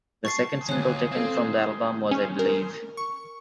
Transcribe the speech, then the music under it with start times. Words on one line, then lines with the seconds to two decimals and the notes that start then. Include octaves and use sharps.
The second single taken from the album was "I Believe".
0.25 A5 C#6 A6 C7
0.69 D#2 D3 C#5 G#5 F#6
1.11 C4 A4 C5 F5
2.11 C#4
2.39 A#4
2.97 C#6